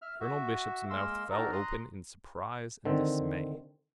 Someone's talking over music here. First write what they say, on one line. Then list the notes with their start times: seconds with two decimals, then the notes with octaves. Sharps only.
Colonel Bishop's mouth fell open in surprise and dismay.
0.02 E5 F6
0.20 F#4 E5
0.90 G#3 A#3 A#4 C6 E6
1.31 D4 D#4 F#4 A4 A#4 A#5
1.52 A#5 C6 D#6 F#6
2.85 D3 D#3 C4